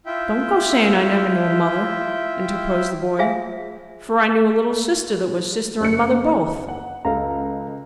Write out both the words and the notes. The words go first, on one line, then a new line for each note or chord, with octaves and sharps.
'Don't go saying I never knew a mother,' interposed the boy, 'for I knew a little sister that was sister and mother both.'
E4 F4 E5 G5
F4 G#4 C5 E5 F5 G#5
F#1 F#6 C#7
F#5
C#2 A4 F5 A#5